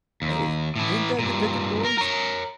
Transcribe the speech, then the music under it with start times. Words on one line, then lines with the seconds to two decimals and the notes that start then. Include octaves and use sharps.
"Eh, ain't that the ticket, boys!"
0.22 D#2
0.76 A2 E3
1.19 G2 A#2
1.85 A#4
1.98 A#4 C#5